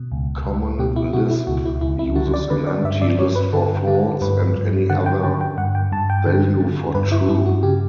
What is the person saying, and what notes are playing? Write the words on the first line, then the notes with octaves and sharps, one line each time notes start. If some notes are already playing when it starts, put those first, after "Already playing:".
Common Lisp uses an empty list for false, and any other value for true.
Already playing: B2
C#2
C#2
B2 G4
E4
B2 F#4
E4
C#2 F#4
E4
C#2 E4
E4
D3 F#4
D5
D3 B4
D5
G2 E5
D5
G2 C#5
B4
D3 A4
D3 G4
G2 B4
G2
D3 F#5
G5
D3 G5
G5
G2 F#5
G5
G2 A5
G5
D3
D3
G2 B4
E4
G2 E4
F#4
C#3 G4